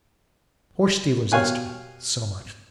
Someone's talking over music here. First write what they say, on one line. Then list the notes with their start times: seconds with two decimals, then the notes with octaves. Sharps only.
Horse-dealer's estimate, so much.
1.32 B2 G4 C#5 F5 G#5 F#6